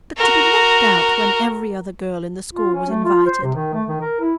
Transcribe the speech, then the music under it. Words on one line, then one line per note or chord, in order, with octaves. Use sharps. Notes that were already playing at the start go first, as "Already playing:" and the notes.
But to be left out when every other girl in the school was invited!
F#4 A#4
F4
C#4
A3
F4
C5
C3
D#3
A3
D#3
A#4
E4